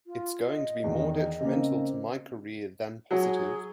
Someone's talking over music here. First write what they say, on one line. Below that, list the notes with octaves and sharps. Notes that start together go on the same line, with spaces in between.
It's going to be more detrimental to my career than positive.
F4
D#5
E2 D#3
C#3 A#3 C4
F#3 G#4